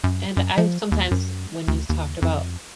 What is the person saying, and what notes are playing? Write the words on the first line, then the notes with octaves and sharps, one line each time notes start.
and I sometimes when you talked about,
F#2
F#2
F3
D#2
F#2
D2
D#2
F2